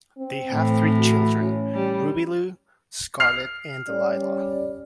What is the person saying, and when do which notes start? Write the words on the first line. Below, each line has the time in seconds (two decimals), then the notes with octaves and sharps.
They have three children, Ruby Lou, Scarlett and Delilah.
0.18 C4
0.52 A2 E3
0.99 F#4
1.41 C#4
1.74 G3
3.20 F6 C7 F7
3.89 G3 C#4 D5